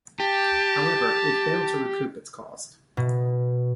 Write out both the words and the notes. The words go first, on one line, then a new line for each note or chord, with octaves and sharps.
However, it failed to recoup its cost.
G4 A5
B2